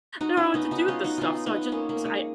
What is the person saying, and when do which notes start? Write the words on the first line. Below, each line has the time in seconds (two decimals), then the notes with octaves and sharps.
don't know what to do with this stuff. So I just I
0.21 D#4 F#4
0.37 C#4 F4
0.54 B3 D#4
0.71 D#4 F#4
0.88 C#4 F4
1.04 D#4 F#4
1.18 B3 D#4 F4
1.46 B3 D#4
1.72 A#3 C#4
1.89 A#3
2.05 G#3